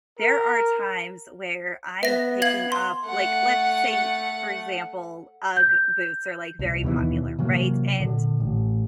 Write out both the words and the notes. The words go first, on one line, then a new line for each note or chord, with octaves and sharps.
there are times where I'm picking up, like, let's say, for example, UGG boots are like very popular, right? And
A#4
B3 E5 A#6
F5 G#6 F#7
C6
A3 F#5
G6
C2
D#2 B2 D3 E3
C3 E3 F#3 A#3
A#2 D3
A1